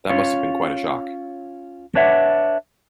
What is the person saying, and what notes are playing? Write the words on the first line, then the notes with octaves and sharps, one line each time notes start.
That must have been quite a shock.
C#4 F4 C#5
D4 B4 C#5 D5 E5 F#5